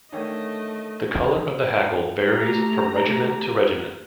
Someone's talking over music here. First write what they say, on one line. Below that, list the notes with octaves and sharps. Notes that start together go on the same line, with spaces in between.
The colour of the hackle varies from regiment to regiment.
D3 D#3 A3 C#4 D#5
A3 G4 A#5